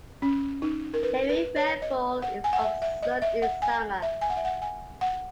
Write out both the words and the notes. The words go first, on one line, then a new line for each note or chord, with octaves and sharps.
Heavy rainfall is observed in summer.
C#4
D#4
A#4
B4
B4
C#5
D#5
F#5
G#5
F#5
E5
E5
D#5
E5
F#5
G#5
E5
G#5
F#5
E5
F#5
G#5
F#5